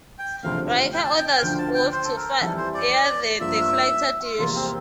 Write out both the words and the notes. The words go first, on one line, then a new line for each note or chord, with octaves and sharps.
Riker orders Worf to fire the deflector dish.
G5
E1 D2 C3 F3 A3 F5
G5
A5
G5
G5
F5
D2 D3 F3 G5
A5
G5
C5
A4
A#4
F2 E3 G3 A4
C5
D5
G2 F3 A#3 F4 E5
F1 E2 C3 G3 A#3 F4
C4